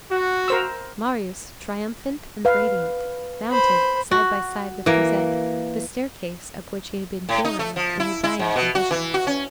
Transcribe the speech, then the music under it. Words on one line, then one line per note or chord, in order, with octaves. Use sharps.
Marius, triumphant and radiant, mounted side by side with Cosette the staircase up which he had been borne in a dying condition.
F#4
A#4 C5 E6
B4 F5
C5 B5
F#4
E3 A#3
A2
D#4
A3
F3
E4
E4
G#2
B2
F#4
E3
F#4
C#4